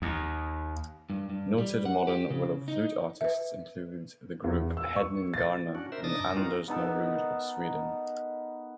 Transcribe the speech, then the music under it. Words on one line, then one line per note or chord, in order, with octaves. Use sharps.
Noted modern willow flute artists include the group Hedningarna and Anders Norudde of Sweden.
D#2
G2
G2
G3
F#5
G4
C#3
D#4
B4 E5
E2
E6
C#6
A6
C#4 D4 F#4
A#4 C5 E5
C3 D4 D#4 D#6 A6 A#6
G2 D6 A#6
C4 C#4 D#4 F4 F#4 A#4
B3 D#4 A4 A#4